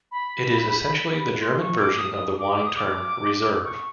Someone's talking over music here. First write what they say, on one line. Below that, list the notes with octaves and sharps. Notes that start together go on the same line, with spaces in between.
It is essentially the German version of the wine term Reserve.
B5
C6
C#6
D6
D#6
D#6
D6
D6
D#6
D6
C#6